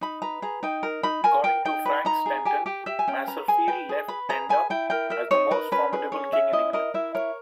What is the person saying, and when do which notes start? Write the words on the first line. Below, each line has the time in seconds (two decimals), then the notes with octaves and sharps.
According to Frank Stenton, Maserfield left Penda as the most formidable king in England.
0.01 D#4 B5
0.22 B4 A#5
0.42 G#4 A#5
0.63 D#4 G5
0.83 A#4
1.03 D#4 B5
1.24 A#4 G#5
1.44 A#4 G5
1.65 D#4 G5
1.85 B4
2.05 D#4 A#5
2.26 G#4
2.45 G4 G#5
2.66 G4 G5
2.86 G4 E5
2.99 G#5
3.08 C#4 G5
3.27 B4 A#5
3.48 G#4 G#5
3.68 B4 G5
3.89 G#4
4.08 B4 B5
4.29 G#4 A#5
4.49 B4 G#5
4.70 E4 G5
4.90 A#4 G5
5.10 A#4 E5
5.31 D#4 C#5
5.51 A#4 B4
5.72 C#4 B4
5.93 G#4 B4
6.12 C#4 C#5
6.32 C#4 E5
6.53 E4 D#5
6.73 A#4 D#5
6.94 E4 E5
7.15 A#4 C#5